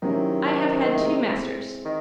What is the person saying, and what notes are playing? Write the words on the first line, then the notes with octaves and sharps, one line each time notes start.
I have had two masters.
C3 D#3 F#3 C#4 E4
G#3 C4 E4
D#3